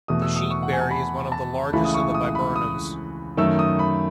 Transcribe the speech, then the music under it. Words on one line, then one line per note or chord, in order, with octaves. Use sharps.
The sheepberry is one of the largest of the viburnums.
E2 B2 A3 D#6
E6
D#6
C#6
F#5
G#5
A5
B5
A5
C#2 C#3 E3 A3 B5
D#6
C#6
D#6
B5
D#6
F#2 D#3 A3 E6
D#6
B5